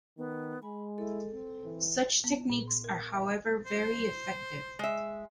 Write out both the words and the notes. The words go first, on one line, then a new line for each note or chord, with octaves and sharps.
Such techniques are however very effective.
D#3 B3
G#3 G#5 B5
E4 A4
C4
E3
B3
A#2
C6
A#4
E5
C5
G#3 E5